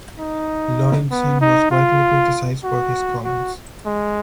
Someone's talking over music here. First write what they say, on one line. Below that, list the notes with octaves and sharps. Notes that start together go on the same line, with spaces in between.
Lorentzen was widely criticized for his comments.
D#4
B3
D#4
F4
F#4
F#4
G#3